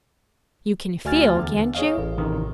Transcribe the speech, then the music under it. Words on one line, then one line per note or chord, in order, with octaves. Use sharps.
"You can feel, can't you?"
D2 F#4 G#5 F6 A6
E2 D3
G#4 C#5 D#5 F5
A1
A1 C3 D#3